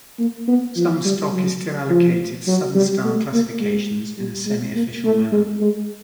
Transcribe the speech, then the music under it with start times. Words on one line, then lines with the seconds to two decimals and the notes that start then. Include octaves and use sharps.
Some stock is still allocated Southern-style classifications in a semi-official manner.
0.19 A#3
0.48 B3
0.76 F3
1.05 G3
1.33 F#3
1.90 F3
2.47 F#3
2.75 G3
3.04 A3
3.33 A#3
3.61 G#3
4.18 G3
4.46 G#3
4.75 A#3
5.04 A3
5.32 G#3
5.61 G#3